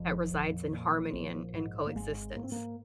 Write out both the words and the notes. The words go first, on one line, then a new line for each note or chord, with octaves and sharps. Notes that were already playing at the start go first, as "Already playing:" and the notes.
that resides in harmony and and coexistence.
Already playing: F1 F2 F3
A#1
A#2
A#1
G#2
A#3
G#1 G#3
G#2 A#3
C4
A#3